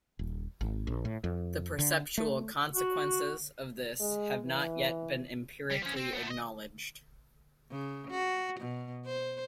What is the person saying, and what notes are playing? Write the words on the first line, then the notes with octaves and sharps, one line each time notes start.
The perceptual consequences of this have not yet been empirically acknowledged.
D#1
G#1
A#1
A2
F2
D3
A3
F#4
G#3
E3
G3
F3 C#4
C4
A3 B3
C5 D#5
C#3
F#4
B2
C5